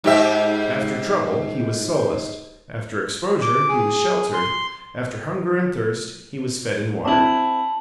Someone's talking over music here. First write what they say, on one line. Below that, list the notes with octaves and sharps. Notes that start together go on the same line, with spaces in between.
After trouble, he was solaced; after exposure, he was sheltered; after hunger and thirst, he was fed and watered.
G#2 G4 E5
D6
G#4
C6
C4 E4 A5 F#7